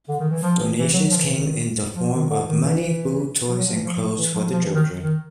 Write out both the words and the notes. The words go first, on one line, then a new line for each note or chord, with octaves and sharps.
Donations came in the form of money, food, toys, and clothes for the children.
D3
D#3
E3
F3
E3
E3
F#3
F3
D#3
E3
D#3
F3
D#3
D3
D#3
E3
F3
F#3
F3
E3
F3
E3
F3
F3
E3
D#3
D#3